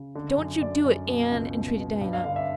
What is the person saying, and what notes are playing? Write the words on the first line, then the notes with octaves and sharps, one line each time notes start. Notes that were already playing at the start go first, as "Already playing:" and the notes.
"Don't you do it, Anne," entreated Diana.
Already playing: C#3
D3
F#2
F#2 D5
F#2
B2
C#2
B2
B2
G2
F5
D3 F5
E5